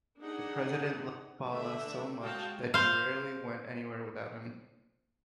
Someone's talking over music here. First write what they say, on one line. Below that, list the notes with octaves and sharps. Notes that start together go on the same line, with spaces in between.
The President loved Fala so much that he rarely went anywhere without him.
D4 D#4 G#4 F#5
D3 A3 D4 E5
G#3 F#4 F5 G5 A5
C5 F5